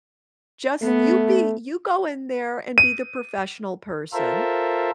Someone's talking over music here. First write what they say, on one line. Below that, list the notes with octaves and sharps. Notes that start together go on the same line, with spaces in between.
Just You be You go in there and be the professional person
A3 B3
D#7
F4 A4 A#4 C5 E5